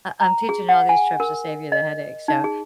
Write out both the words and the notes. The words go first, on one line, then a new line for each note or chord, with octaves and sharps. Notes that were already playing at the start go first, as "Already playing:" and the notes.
I'm teaching you all these tricks to save you the headache. So
A#5
G#4
F#5
G#5
A#4
D#5
D#4
G#4